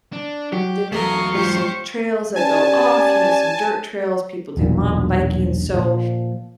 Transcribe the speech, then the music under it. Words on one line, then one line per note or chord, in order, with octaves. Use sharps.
there's some trails that go off, you know, some dirt trails, people do mountain biking, so
D4
F#3 G4
E2 F#3 A3 A#4 D#5 F5 C#6
G#2 F4 G4 C5
C#4 G4 D5 G#5 A5
E1 B1 G2 A#2
A#2 F3